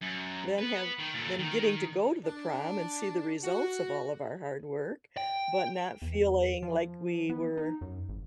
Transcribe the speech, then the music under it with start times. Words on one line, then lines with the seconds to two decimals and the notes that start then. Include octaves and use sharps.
then have then getting to go to the prom and see the results of all of our hard work but not feeling like we were
0.01 F#2
0.58 B3 B4
0.99 D#3
1.15 A#2 A4
1.39 D#3
2.24 D4
3.43 F#4
5.17 G5
6.02 E2
6.63 F3
7.30 B3
7.57 D#4
7.81 F#2
8.09 G#1